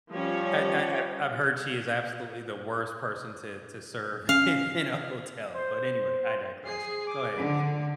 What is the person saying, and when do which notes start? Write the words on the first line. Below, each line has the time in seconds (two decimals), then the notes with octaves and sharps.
I I I've I've heard she is absolutely the worst person to to serve in in a hotel, but anyway, I digress, go ahead.
0.11 F3 G3 C#4 C#5
4.29 C#4 F5
5.54 C5
6.65 G#4 C7
7.07 D6
7.37 D3